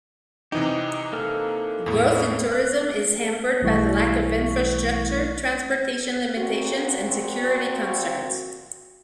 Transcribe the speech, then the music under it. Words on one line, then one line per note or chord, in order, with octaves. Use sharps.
Growth in tourism is hampered by lack of infrastructure, transportation limitations and security concerns.
C3 E3 D#4 G4 D#5
A#3 A4 F6
E2 A2
F#6
B1 E3 G3 A3 E4 C#6
A#2 C4 F#4